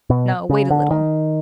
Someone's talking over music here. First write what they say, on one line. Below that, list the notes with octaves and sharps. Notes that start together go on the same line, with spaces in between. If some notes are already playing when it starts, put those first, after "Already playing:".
No, wait a little.
B2
C#3
D3
D#3